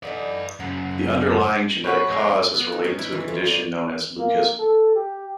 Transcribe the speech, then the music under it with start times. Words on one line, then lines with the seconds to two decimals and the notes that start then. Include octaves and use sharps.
The underlying genetic cause is related to a condition known as leucism.
0.03 D3 E3 D#4 B4 D5
0.60 F#2 C#3 F#5
0.91 F#5
1.84 C#4 F#4 B4 F#5
2.09 F2 G#3
2.54 B3
2.72 D#4
2.84 C#4
2.99 E4
3.12 E3
3.28 F2
3.46 D5
4.19 A#3
4.59 A4
4.96 G4